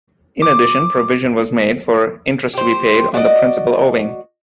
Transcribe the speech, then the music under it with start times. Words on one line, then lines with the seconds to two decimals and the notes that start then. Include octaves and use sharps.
In addition provision was made for interest to be paid on the principal owing.
0.42 D6
2.54 G4 C5
3.14 F#4 D5 D#5